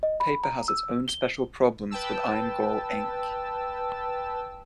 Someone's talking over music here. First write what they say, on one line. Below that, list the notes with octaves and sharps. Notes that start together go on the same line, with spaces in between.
Paper has its own special problems with iron gall ink.
D#5
B5
A#5
E6
G7
B4 G5 A5 E6